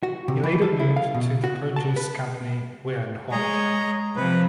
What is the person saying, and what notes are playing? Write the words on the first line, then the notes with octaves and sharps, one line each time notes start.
He later moved to the produce company Wyer and Hawke.
F#4
C3
E3
A4
E4
F5
B2
F#4
A5
B4
G#3 C#5 D#5 A#5
C3 F3 B4